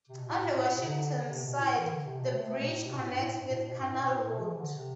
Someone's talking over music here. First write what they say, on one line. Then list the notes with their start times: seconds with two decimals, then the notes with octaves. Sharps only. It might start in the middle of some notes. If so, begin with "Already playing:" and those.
On the Washington side, the bridge connects with Canal Road.
0.09 C3
0.19 B2
0.29 A2
0.39 A2
0.53 A2
0.69 A2
0.77 C3
0.84 D3
1.22 D3
1.29 C3
1.44 B2
1.60 A2
1.77 E3
1.91 D3
2.05 C3
2.19 B2
2.34 A3
2.50 A3
2.60 B2
2.69 A2
2.85 C3
2.93 B2
3.01 A2
3.09 G2
3.19 A2
3.30 A2
3.40 G2
3.48 B2
3.54 A2
3.69 B2
3.79 G2
3.90 A2
4.00 B2
4.14 A2
4.30 B2
4.39 F3
4.50 E3
4.60 D3
4.75 C3